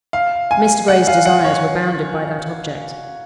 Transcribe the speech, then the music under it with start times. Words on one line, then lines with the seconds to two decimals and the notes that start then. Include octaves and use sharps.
Mr. Gray's desires were bounded by that object.
0.13 F5
0.51 G#5
0.88 F#5
1.07 F5
1.26 F#5
1.44 C#5